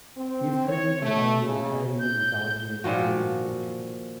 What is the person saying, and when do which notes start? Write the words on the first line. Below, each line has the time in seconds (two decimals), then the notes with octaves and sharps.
He is currently compiling an entirely new anthology of Guyanese poetry.
0.17 C4
0.67 C#5
1.02 A3
1.42 C#3
1.99 G6
2.84 A#2 D#3 F3 F#4